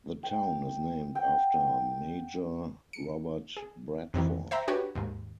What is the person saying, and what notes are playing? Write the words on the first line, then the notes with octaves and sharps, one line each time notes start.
The town is named after Major Robert Bradford.
G5
F#5 G5
C#7
G#4
F2 C3 D#3 E3
C5 E5 G5 A#5
D4 F#4 G4 B4 C#5
D#2 G#2